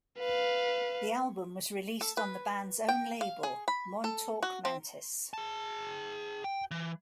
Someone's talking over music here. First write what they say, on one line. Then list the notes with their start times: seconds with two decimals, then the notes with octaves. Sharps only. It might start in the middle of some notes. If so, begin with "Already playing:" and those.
The album was released on the band's own label, Montauk Mantis.
0.19 B4 F5
2.01 A4
2.17 B4
2.88 G5
3.21 F5
3.43 G#4
3.68 B5
4.04 A4
4.43 F#4
4.65 C4
5.33 G#4 A5
6.44 G5
6.71 E3